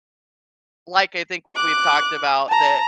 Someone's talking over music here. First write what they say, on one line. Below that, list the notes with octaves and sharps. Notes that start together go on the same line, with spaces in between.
l like I think we've talked about that
D6 F#6
A5 A#5